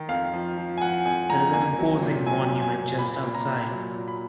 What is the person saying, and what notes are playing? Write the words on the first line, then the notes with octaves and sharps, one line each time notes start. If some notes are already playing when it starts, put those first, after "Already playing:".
There is an imposing monument just outside.
Already playing: D#3
F2 F5
F3
F3
G#5
F3 F#5
F2 G#5
F2 A#5
A#3 G#5
F#3
A#2
F#3 G#5
F#3
G#5
A#2
A#2 B5
A#2
A#5
A#2
F#3
A#2
B5